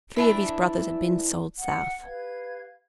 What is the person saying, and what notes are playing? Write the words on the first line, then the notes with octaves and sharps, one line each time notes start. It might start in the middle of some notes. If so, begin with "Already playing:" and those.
Three of his brothers had been sold South.
E3 D4 E4
F#5
G4 B4 F5 G#6